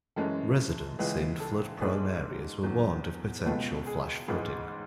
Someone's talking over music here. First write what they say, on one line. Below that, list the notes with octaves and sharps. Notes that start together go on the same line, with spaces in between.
Residents in flood-prone areas were warned of potential flash flooding.
F#2 E3 G#3 C#4 A4
C#2 C#3 E3 G#3 G#4 B4
A4
G#2 G#3 D4 G#4 B4
E2 D3 F#3
B4
C#2 B2 G#3 B3 A4
G#4
A1 G#2 G#3 G#4 B4